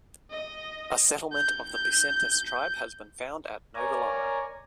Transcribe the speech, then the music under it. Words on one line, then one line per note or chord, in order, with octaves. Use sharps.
A settlement of the Picentes tribe has been found at Novilara.
D#5
G6
A#4 C#5 D5 G#5 A#5